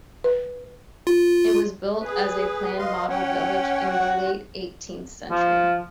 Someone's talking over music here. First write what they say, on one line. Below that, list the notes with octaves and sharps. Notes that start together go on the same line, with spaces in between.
It was built as a planned model village in the late eighteenth century.
B4
F4
G#4 B4
D#5 F5 C6
C#4 C#5 F#5 G5
F#4
F3